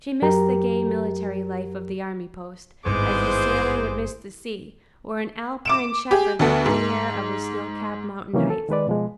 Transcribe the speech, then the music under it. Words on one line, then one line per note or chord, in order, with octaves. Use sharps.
She missed the gay military life of the army post, as a sailor would miss the sea, or an Alpine shepherd the free air of his snow-capped mountain heights.
F#2 F#3 G4 A#4 A#5
G#1 G2 G#3 B3 E4 G#4 C5 D6
D6 D7 E7
G4 G#4
D2 B3 A4
G#2
C3 D#3 E3 F#3 A#3 C#4
A4
D#3 G#3 B4 D5
B2 F3 G#3